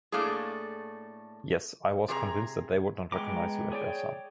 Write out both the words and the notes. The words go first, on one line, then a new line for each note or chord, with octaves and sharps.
Yes, I was convinced that they would not recognize you as their son.
A2 A3 A#3 D4 G#4
C3 G#4 C#5 A#5
G#3 B3 G5 A#5 D6
G#4 C#5 D5 G5